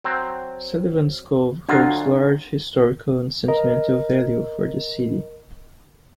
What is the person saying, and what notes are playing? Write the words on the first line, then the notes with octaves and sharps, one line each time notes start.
Sullivans Cove holds large historical and sentimental value for the city.
F#3 C4
D2 F#3 D4 F4 F#5 D#6
A#4 D#5